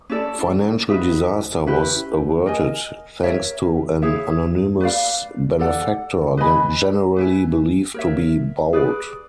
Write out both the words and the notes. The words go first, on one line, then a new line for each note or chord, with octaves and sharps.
Financial disaster was averted thanks to an anonymous benefactor, generally believed to be Boult.
C#4 E4 A4 D5
D#4 F#4 B4 E5
C#4 E4 G4 B4
A#4 D#5 G#5
A#4 C#5 E5
E4 G#4 C#5 E5
B4 D5 F5
A4 D5 F#5
B4 D#5 G#5 B5
B4 E5 G#5
A#4 C#5 E5
G#4 B4 D5